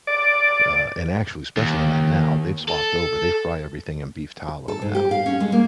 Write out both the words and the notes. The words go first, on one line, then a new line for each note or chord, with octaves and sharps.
Uh, and, actually, especially not now, they've swapped over, they fry everything in beef tallow, now.
D5
D#2
A4
A4
G#2
G4
F5
C#4
G#3
A#3